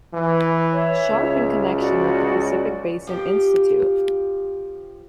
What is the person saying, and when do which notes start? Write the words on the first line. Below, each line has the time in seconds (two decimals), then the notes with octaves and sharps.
Sharpe in connection with the Pacific Basin Institute.
0.14 E3
0.73 C#5 E5
1.10 C#2
1.78 F#4 D5
3.07 F3 G4